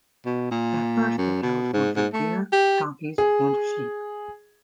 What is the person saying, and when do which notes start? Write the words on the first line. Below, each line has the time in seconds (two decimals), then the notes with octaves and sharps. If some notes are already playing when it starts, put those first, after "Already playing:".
At first, it held only deer, donkeys, and sheep.
0.26 B2
0.51 A#2
1.18 F#2
1.42 B2
1.73 G#2
1.96 G#2
2.13 A3
2.52 G4
3.18 G#4